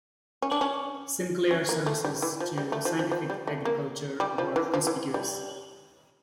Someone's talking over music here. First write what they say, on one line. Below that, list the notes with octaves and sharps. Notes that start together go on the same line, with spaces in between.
Sinclair's services to scientific agriculture were conspicuous.
C#4
D4
C#4
C#4
A#3
A3
G3
E3
F3
G3
A3
F3
F3
F3
G3
A3
A#3
G3
F3
E3
F3
E3
G3